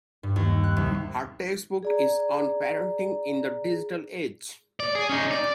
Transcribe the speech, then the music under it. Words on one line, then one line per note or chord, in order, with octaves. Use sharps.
Her next book is on parenting in the digital age.
G2
D#2
F#6
C2
G#4 D5 A#5
D5
G#4
C#4 D#4
D5